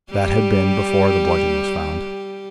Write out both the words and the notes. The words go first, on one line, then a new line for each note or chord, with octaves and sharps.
That had been before the bludgeon was found.
G3 G4